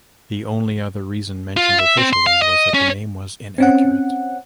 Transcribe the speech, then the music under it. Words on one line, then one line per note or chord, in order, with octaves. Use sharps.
The only other reason mentioned officially was that the name was "inaccurate".
F4
E5
C4
C6
F5
D#5
C#4
C4 C#4 F#5